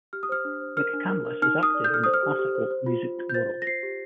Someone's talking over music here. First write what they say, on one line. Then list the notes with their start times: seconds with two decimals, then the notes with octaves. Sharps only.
McCandless is active in the classical music world.
0.13 G4 F6
0.23 D#6
0.29 C5 F6
0.45 D4
0.61 C5
0.77 A#4 F6
0.94 D4
1.10 A#4
1.25 A#4
1.42 D#4 F6
1.59 D#4 D#6
1.74 D5
1.84 G6
1.90 A4 F6
2.04 C5 D#6
2.14 F6
2.23 G4
2.39 G4
2.55 C5
2.70 C5
2.86 F4
3.02 F4
3.19 F4
3.29 G6
3.34 C5 A6
3.51 C5
3.62 A#6
3.67 C5 C7
3.83 G4